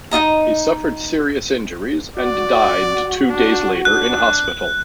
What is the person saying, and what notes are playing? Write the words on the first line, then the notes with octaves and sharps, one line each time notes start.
He suffered serious injuries and died two days later in hospital.
D#4 F4 D#5 A#5
F#4 D5
D4
D4 F#6